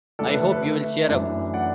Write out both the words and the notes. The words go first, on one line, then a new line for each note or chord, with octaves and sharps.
I hope you'll cheer up.
D3 A3 D4 A4 D5
B4
A4
B4
B4 E5
F#2 E3 A3 D4
D5 F#5